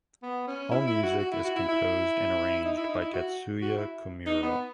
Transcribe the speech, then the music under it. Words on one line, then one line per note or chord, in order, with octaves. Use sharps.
All music is composed and arranged by Tetsuya Komuro.
B3
C#4
E4
E4
F#4
F#4
E4
F#4
E4
E4
D#4
E4
D#4
E4
F#4
F#4
E4
D#4
B3